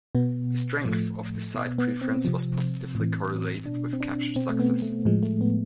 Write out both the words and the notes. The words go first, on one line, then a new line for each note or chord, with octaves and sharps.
The strength of this side preference was positively correlated with capture success.
B2 B3
A2 F3 A3
B2 B3
B3
C4
C3 F3
A2
E3
B2 D4
C4
D4
B2 C4
A3
B3
A3
A2 F3 G#3
A3
B3